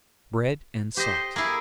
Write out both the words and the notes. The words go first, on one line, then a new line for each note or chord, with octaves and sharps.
Bread and Salt.
G4 C5 D#5
A#3 E4 G#4